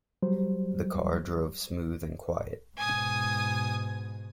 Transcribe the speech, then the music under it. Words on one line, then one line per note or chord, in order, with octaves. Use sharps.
The car drove smooth and quiet.
F#3 G3 C5
G#2 B2 G#5 D#6